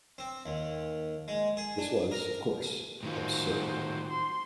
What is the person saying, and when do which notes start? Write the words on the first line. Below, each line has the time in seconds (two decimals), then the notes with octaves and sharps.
This was, of course, absurd.
0.18 C4
0.46 D#2
1.28 G#3
1.57 G#4
1.78 D4
2.11 A#4
3.03 A2 D#3 F4 F#4 C5
4.10 C6